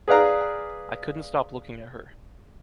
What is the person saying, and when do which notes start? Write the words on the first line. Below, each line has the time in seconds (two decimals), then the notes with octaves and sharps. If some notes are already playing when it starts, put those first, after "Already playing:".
I couldn’t stop looking at her.
0.08 G#4 B4 D5 F5 A#5